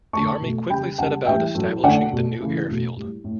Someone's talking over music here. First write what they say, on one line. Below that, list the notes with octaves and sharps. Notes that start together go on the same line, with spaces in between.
The Army quickly set about establishing the new air field.
D3 A3 A5 C#6
B2 A3
C#3 G3 G5 B5
C#3 G3 F#5 A5
A2 E3 G3 E5 G5
A2 F#3 A3
D3 A3 D5 F#5
B2 A3
C#3 E3 A3
B2 A3
A2 G3
A2